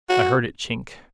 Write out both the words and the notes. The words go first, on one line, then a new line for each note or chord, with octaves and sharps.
I heard it chink.
F#4